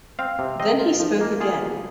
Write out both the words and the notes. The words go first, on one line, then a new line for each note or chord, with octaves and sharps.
Then he spoke again.
C4 F5
C3
C4 D#5
F4
F3
A#3
F4 G#4
F3